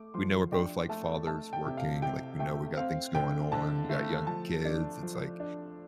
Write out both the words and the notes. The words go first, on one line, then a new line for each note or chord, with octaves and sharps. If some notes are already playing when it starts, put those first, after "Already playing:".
we know we're both, like, fathers working, like, we know we got things going on, we got young kids, it's, like
Already playing: A3 D6
F3 C6
D4 G5
A3 A5
A3 A5
G5
C3
F5
C3 G5
A3 G5
C4 F5
D3 G5
D3 A5
A3
F3 A5
D4
F3
D4